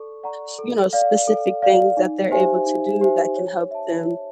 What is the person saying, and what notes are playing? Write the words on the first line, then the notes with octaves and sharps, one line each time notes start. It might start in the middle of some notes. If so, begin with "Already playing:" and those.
s you know, specific things that they're able to do that can help them,
Already playing: A4 D5 C#6
D5 F#5 A#5 C#6
A4
D5 F5
A4
D5 F5
D#4
G4 C5 E5 G#5
D#4
G4 C5 E5 G#5
C#5
E5 A5
C#5